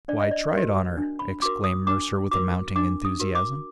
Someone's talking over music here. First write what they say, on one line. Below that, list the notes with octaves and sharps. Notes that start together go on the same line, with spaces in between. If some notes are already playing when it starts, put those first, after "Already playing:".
"Why, try it on her!" exclaimed Mercer with mounting enthusiasm.
D4 D5
D#5
D5
F#4 A#4
D4
B5
F#4 A#4 D6
D#6
D4 D6
F#4 A#4 D6
D4 D6
D#6
F#4 A#4
D6